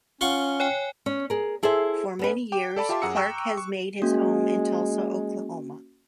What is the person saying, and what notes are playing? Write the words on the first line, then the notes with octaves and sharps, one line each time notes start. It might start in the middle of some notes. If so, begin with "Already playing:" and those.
For many years Clark has made his home in Tulsa, Oklahoma.
C#4 F4 F#5 C#6 G7
C#5 G5 G#5
C#4
G#4 A#4
E4 G#4 A4 C5 E5
B3 C#4 B4
G5 D6
A4 D5 A5 B5
F4 G4 E5 A5 C6 D6
F#2 G#4 F#5 A#5 E6 C#7
G5 A#5 C#6 E6 F#6
C#6
G#3 A#3 C#4 F#4